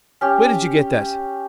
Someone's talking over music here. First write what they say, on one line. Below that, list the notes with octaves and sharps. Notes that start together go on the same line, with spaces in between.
Where did you get that?'
C#4 G4